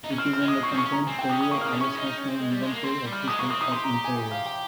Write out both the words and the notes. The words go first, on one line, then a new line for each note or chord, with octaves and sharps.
It is on the Campaign for Real Ale's National Inventory of Historic Pub Interiors.
D#4
C#4
C4 F6
F6
G#3
D#6
C4 C#6
C#4
C#6
C#4
A#5
C4 G#5
G5
C#4 D#6
D#6
A#3 C#6
F6
D#6
C#4
C#6
D#4
D#4
C#4
C4
G#3
G3
G#3
A#3
C4 C6
G3
F6
G#3 D#6
A#3 C#6
C4 D#6
D#4 D#6
G4 C6
A#5
A#5
G#5
G#5
F5
G5